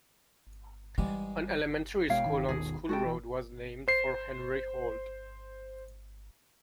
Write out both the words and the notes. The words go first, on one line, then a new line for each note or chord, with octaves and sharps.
An elementary school on School Road was named for Henry Holt.
G#2 E3 G3 G#3
B2 G3 G#3 C#5 F5 G5
G#1 D#3
D#2 B2 D#3 G#4
G#3 F#4 A4 G5
E3
C5 C7